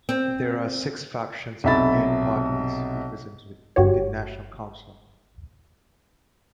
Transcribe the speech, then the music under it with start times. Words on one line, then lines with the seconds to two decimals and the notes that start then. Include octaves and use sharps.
There are six factions and eight parties represented in the National Council.
0.09 C4
1.64 B1 C3 E5 B5 A6
3.76 G1 G2 F#4 G4 C#5